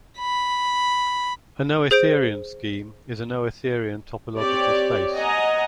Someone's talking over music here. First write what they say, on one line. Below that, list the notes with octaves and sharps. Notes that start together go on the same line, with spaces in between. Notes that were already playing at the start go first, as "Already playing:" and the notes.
A noetherian scheme is a noetherian topological space.
B5
G#4 C5 G6 D7
C4 G4 C#5 D5
D#5 F#5 G#5 A#5